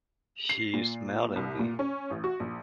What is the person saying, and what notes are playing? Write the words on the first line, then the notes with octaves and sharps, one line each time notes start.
She smiled at me.
C7
A#2
C2
A#2
C#4
A1
F#4
A#1